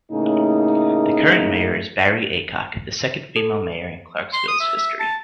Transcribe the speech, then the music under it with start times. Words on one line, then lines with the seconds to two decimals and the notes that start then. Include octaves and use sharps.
The current mayor is Barrie Aycock, the second female mayor in Clarkesville's history.
0.12 A2 C#3 A3 A#3 D#4
3.36 A4
4.33 C6
4.48 D#6
4.60 E5
4.76 E5
5.00 A5